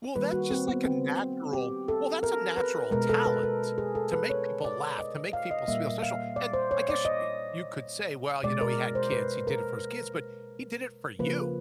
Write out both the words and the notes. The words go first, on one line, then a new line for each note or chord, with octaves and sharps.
Well, that's just like a natural well, that's a natural talent to make people laugh, to make people feel special and I guess y you could say, well, you know, he had kids, he did it for his kids, but he did it for you.
D#3 G3 A#3 B4
F#4
C4
B3
C4
G4
A4
A#4
B4
B2 G#3 A#4
A4
B4
A#4
G#4
A4
B4
C#5
D5
D#5
F5
D#5
A#2 G3 A#3 E5
F5
D5
C5
C#5
D5
D#5
B2 G#3 D5
A#4
C5
B4
A#4
C#3 F3 A#3 B4